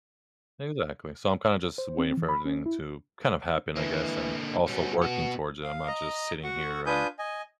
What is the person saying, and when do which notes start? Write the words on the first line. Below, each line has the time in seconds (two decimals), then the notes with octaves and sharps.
Exactly. So I'm kinda just waiting for everything to kind of happen, I guess, and also working towards it. I'm not just sitting here and
1.78 C5
1.98 C4
2.17 E3
2.29 B5
2.45 C#4
2.66 E4
3.76 D3 E3 A#3
4.67 B2 G3 C#4
5.02 B3 F#4
5.64 F5
5.87 D#5 A#5
6.44 F#4 F#5 C#6
6.86 D4 F4 B4 G#5 D#6 G6
7.19 D#5 G#5